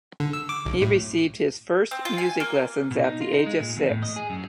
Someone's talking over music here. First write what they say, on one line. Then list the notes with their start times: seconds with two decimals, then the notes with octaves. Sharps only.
He received his first music lessons at the age of six.
0.20 D3
0.33 E6
0.49 D6
0.65 B1
0.81 A2
1.91 C4
2.05 F4
2.18 G#5
2.40 A#3
2.91 B2
3.04 D#4
3.21 F4
3.33 D#4
3.46 G#3
3.60 A#2
3.77 E2
3.89 A2
4.03 D#5
4.16 G#4
4.30 F#2